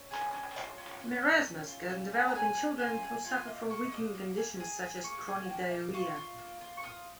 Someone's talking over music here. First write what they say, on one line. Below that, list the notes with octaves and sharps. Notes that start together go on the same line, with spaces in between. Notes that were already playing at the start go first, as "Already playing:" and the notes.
Marasmus can develop in children who suffer from weakening conditions such as chronic diarrhea.
Already playing: C#4
G#4
C#4
F4
C#4
C#4
C#4
C#4
F4
C#4
G#4
A#5
G#4 G#5
C#4
F4 G#5
G#4
F4 G#5
A#3
A#3 C#6
A#3 D#6
A#3
G#4
G#4
G#4
A#3 C#6
G#4
A#3
A#3
F4 C#6
F4
A#3
F4
C#6
F4 D#6